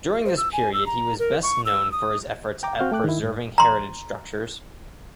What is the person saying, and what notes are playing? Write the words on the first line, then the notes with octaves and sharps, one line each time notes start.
During this period he was best known for his efforts at preserving heritage structures.
C5
E6
G#5
E6
A#5
A#4
C#6
E6
D#6
G5 A#5 D6
C4 F#4 F5 F6 G6
A3 G5 D6 F#6
D#3 E4
G#2
A#5 C6